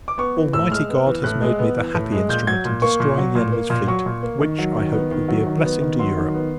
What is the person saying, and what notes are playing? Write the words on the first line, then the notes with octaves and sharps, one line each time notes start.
Almighty God has made me the happy instrument in destroying the enemy's fleet; which, I hope, will be a blessing to Europe.
D6
B3 C#6
E3
A2 E6
G#3 F6
B3
E3
A2 F#6
G#3
B3
E3
A2
G#3
A#2 G6
F#3 G#6
A#2
A#3 C#6
A#2
F#3
A#2
A#3
A#2
F#3 C#6
A#2
A#3
D#3
F#3
D#3
B3
D#3
F#3
D#3
B3
D#3
F#3 C6
D#3
B3